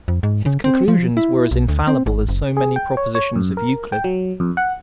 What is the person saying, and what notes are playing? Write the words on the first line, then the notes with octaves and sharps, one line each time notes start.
His conclusions were as infallible as so many propositions of Euclid.
F2
G#2
C#3
C4
F3
E4
B1
D2
C4
G#1
F#1
G#4
G5
C#5
C#5
F#2
A#4
G5
F#3
F2
F#5